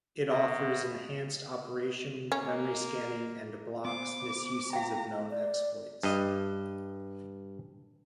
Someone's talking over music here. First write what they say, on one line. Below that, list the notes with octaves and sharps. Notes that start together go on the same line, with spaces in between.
It offers enhanced operation memory scanning and blocks misuses of known exploits.
B2
A#3 C#4
B3 C5 D6
F5 G5 A#5
D5
G2 D#5